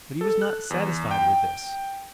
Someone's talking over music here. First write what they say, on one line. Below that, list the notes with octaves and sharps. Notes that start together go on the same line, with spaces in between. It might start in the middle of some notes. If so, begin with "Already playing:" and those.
But he was not satisfied with this.
A4
F#6
E2
G5